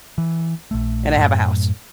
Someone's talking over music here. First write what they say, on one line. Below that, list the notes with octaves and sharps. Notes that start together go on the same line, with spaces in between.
and I have a house.
E3
A#1 A3
F#2 A2